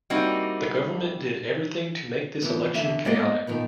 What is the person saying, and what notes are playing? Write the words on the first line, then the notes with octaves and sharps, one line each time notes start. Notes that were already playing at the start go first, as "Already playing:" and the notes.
The government did everything to make this election chaotic.
G3 A#3 C4 D#4 E4 F#4
E3 F3 B3 C4
E2 D3 E5
G#3 A#3 B3 G#4 D5 D#5
A#2 D#3 F3 B3